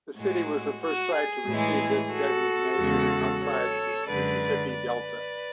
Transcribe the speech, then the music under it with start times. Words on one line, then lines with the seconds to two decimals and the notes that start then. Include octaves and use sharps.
The city was the first site to receive this designation outside the Mississippi Delta.
0.17 A2 G#3 F#4
0.82 F#4
1.15 G#4
1.47 A2 E3 G#3
2.12 F#4 A4
2.77 E2 C#3 G#3
3.43 A4 C#5
4.07 F#2 D3 G#3 B4 D5
4.73 B4 D5